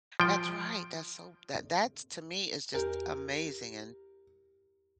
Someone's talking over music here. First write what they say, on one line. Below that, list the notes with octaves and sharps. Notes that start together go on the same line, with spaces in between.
That's right. That's so that that t to me is just amazing and
F3 G5
E2 G4 A#4